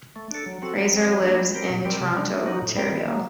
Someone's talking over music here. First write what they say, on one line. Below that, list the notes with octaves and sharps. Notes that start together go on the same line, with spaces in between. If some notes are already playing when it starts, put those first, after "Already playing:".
Fraser lives in Toronto, Ontario.
A3
D4 A4
F#3
C4 F#4 A4
F#3
C4 G4
F#3
A#3 D4
G3
C4 G4 A#4
A#2
G3 C4 G4 A#4
C3
G3 D4
A3
D#4 F#4
A2
G3 C4 G4 A#4
D#3
F#3 A#3